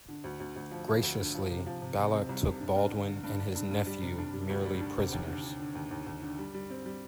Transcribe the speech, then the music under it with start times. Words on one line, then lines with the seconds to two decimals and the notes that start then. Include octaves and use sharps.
Graciously, Balac took Baldwin and his nephew merely prisoners.
0.08 D3
0.24 D2
0.40 D2
0.56 D2
0.71 F3
0.88 F3
1.03 D2
1.19 D3
1.34 F3
1.51 C3
1.66 F3
1.82 C3
1.97 C3
2.13 C4
2.29 C2
2.45 C3
2.60 D4
2.76 G2
2.92 D3
3.07 D3
3.24 G2
3.39 D4
3.55 G2
3.71 G2
3.87 G3
4.02 C3
4.18 D4
4.34 G3
4.49 D2
4.65 G3
4.81 D4
4.97 C3
5.12 D#2
5.28 D3
5.44 D3
5.59 D3
5.75 D#2
5.91 D#2
6.07 D#2
6.22 D3
6.39 G3
6.54 G3
6.70 C4
6.86 G3